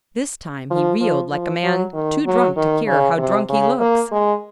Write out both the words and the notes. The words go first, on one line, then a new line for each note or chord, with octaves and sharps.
This time he reeled like a man too drunk to care how drunk he looks.
F3
F3
F3
F#3
D#3
F#3
D#3
C#3
C3
C#3
A#3
G#3